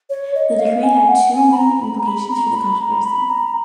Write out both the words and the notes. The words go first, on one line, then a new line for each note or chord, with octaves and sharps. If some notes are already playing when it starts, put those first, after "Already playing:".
The decree had two main implications for the controversy.
C#5
D#5
F5
G#5
F#5
G#5
B5
A#5
B5
A#5
B5
A#5
B5
A#5
B5
A#5